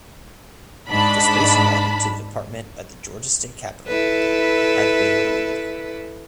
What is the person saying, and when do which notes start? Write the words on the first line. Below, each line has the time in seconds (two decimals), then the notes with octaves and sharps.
The space allotted to the department at the Georgia State Capitol had been limited.
0.90 G#2 D4 A5 B5 B6
3.88 E4 A4 B4